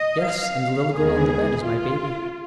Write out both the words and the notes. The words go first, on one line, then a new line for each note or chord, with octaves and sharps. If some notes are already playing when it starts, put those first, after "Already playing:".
"Yes, and the little girl in the bed is my baby."
Already playing: D#5
F5
D#2 D#3 G#3 B3 G#4
F4